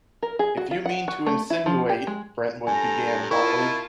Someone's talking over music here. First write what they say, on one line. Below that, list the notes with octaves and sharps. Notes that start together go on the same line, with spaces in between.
If you mean to insinuate -- Brentwood began hotly.
A#4
G#4
F#4
F4
F#5
F#4
A3
E4
F3
G4
G#3
G2 A4 G#5 A#5
E4 F4 A#4 D#5 A5 A#5 C#6